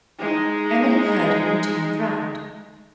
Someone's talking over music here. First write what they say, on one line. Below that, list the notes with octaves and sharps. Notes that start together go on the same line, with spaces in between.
Emily heard her and turned round.
G#3 D#4